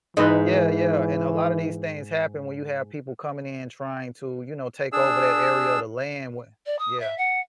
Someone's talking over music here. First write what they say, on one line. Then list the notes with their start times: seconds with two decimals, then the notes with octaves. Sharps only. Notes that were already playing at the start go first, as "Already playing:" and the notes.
Yeah, yeah, and a lot of these things happen when you have people coming in, and trying to, you know, take over that area of the land wa Yeah.
0.17 G#2 E3 D#4 B4 D#5
4.93 D4 G#4 E6
6.66 D5
6.79 D#6
6.99 E5
7.18 F#5